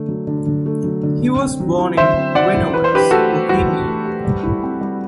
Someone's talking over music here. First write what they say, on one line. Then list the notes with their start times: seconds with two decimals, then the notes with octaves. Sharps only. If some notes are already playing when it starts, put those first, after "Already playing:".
He was born in Reinowitz, Bohemia.
Already playing: D3 A3
0.09 F#3
0.27 D3
0.46 D3
0.66 A3
0.84 F#3
1.03 D3
1.21 D3
1.41 C4
1.60 F#3
1.78 E4
1.97 D3 C5 E5
2.17 C4
2.35 F#3 D5 F#5
2.54 E4
2.73 E3 B4
2.84 C5
2.92 D4 G4 B4
3.11 A3 F#4 A4
3.30 G4
3.49 E3 F#4
3.67 D4
3.87 A3
4.05 G4
4.25 G3
4.43 E4
4.63 C4
4.81 G3